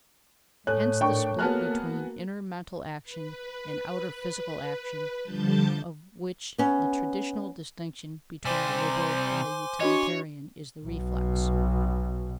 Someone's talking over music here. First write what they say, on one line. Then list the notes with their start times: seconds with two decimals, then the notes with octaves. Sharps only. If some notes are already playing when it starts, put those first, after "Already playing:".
Hence the split between inner mental action and outer physical action of which the traditional distinction between the liberal and the utilitarian is the reflex.
0.67 A2 A4 C#5 G#5 F#6
1.01 D4 A#4 G5 C#6
1.39 A#3 B3 F#4 G#4 A5 F6 F#6
3.03 B4
5.22 D3 F3 G3 A5 G6 A6
6.58 B3 C#4
8.45 C3 G3 C5 G#5 C6 D6
9.80 D4 F#4 C#5 D#5
10.85 B1 B2